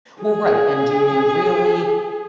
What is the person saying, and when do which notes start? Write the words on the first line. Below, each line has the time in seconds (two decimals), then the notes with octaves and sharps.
Well, right. And do you really
0.22 G#4